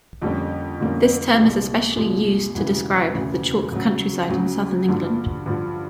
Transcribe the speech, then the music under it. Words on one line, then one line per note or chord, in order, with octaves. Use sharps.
This term is especially used to describe the chalk countryside in southern England.
F2 D3 G3 A#3 C#4
F2 D3 G3 A#3 C#4
C2 A#2 F3 G#3
C2 A#2 F3 G#3
E1 D2 C#3 E3
E1 D2 C#3 E3
D2 C#3 F#3
D2 C#3 F#3
G2 D3 F3
G2 D3 F3